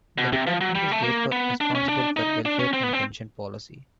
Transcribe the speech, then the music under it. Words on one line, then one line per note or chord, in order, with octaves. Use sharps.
The Department is therefore responsible for welfare and pension policy.
B2
C3
F3
F#3
G3
A3
A#3
B3
D4
C#4
D4
D#4
D4
C#4
C4
B3
C4